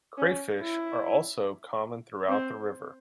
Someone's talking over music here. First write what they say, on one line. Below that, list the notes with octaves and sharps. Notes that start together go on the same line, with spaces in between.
Crayfish are also common throughout the river.
C#4
E4
C4